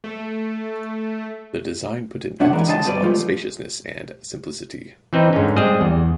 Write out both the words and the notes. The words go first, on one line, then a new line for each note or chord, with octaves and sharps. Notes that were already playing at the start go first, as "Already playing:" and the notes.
The design put an emphasis on spaciousness and simplicity.
A3
F#2 D3 D4 E5 F#5
E3 G#3 A#4
C#2 D3 D#5 F5 A5
D2 G2 B2 G3 B4 D5
F3 G#3 A3 F4
E3 C4 D#4 B4
G#2 D3 G#3 C#4
G3 G#3 C4 G#4 D#5
E2